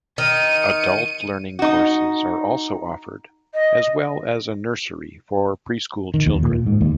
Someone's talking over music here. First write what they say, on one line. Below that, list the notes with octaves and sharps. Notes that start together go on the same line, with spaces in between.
Adult learning courses are also offered, as well as a nursery for preschool children.
D#3 D#4 C#7 D#7
D#4 F#4
D#5
D#3
D#2
A#2
G#2
D#2